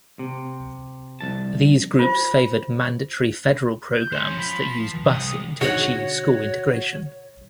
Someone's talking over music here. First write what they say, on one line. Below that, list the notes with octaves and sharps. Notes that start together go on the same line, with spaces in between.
These groups favored mandatory federal programs that used busing to achieve school integration.
C3
C2 F2 A5
F4 C5
G6
C#4 C5
F3 B5
C2 D#6
G#2 B2 D3 F#4 C#5 F#5